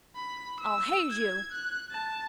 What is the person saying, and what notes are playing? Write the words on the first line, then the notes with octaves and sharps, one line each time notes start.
I'll haze you!
B5
E6
G#6
F#6
A5